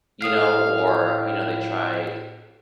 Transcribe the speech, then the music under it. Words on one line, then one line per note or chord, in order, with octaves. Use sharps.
you know or, you know, they try,
A2 A4 F5 D#6 C7